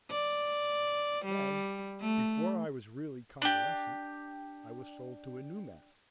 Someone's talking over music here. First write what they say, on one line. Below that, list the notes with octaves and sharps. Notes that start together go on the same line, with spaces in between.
Then, before I was really convalescent, I was sold to a new master.
D5
G3
A3
D4 G4